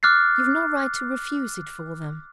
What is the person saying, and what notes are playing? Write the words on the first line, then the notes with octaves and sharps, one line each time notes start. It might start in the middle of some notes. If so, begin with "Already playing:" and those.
You've no right to refuse it for them.
D6 F6 F#6 A6 C7